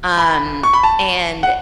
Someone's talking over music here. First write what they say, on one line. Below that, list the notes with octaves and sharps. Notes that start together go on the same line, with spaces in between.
um, and
B5
C#6
B5
A5
F#5